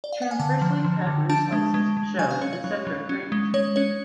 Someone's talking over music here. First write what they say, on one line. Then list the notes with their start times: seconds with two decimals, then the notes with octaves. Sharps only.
Transversely cut root slices show concentric rings.
0.04 D5
0.12 F5
0.22 F#5
0.31 G#5
0.40 D3 A5
0.61 F3
0.84 F3
1.07 D3
1.29 D4 A5
1.52 G#3
1.74 G#3
1.97 G#3
2.19 F#3 G#5
2.31 F5
2.41 C#4 C#5
2.53 C#5
2.64 F#3
2.87 F#3
3.09 C#4
3.32 G#3
3.54 G#3 C#5
3.76 C#4 C#5